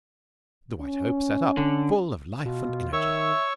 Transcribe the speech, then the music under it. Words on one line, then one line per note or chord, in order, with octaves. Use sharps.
The White Hope sat up, full of life and energy.
C#4
D3
B2 F4
D#3 C#5 E5 C#6 E6